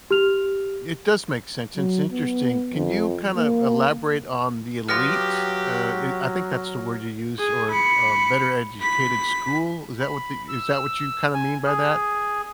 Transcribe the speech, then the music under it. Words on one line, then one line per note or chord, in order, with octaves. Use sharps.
it does make sense, it's interesting. Can you kinda elaborate on the elite? Uh, i I think that's the word you used, or, uh, better-educated school? Is that what the is that what you kinda mean by that?
G4 F6 F7
F#3
B3
F2
A#3
F#3 B3 E4 F4 G4 F6 A#6
G#4
B5 C#7
B5 B6
B5
E6
G#5
G#4